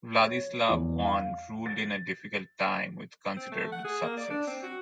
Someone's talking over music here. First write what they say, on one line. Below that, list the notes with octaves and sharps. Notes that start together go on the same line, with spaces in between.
Vladislav I ruled in a difficult time with considerable success.
C#5
E2
F5
A6
C4
A3
F#5
G#4
A#3
D5
D4
C4
F#4